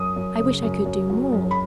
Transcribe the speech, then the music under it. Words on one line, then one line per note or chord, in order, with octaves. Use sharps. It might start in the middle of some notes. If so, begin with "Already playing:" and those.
'I wish I could do more.'
Already playing: F#2 F#3 D#6
F#2
C#3
F#2
F#2
F#3
F#2
B5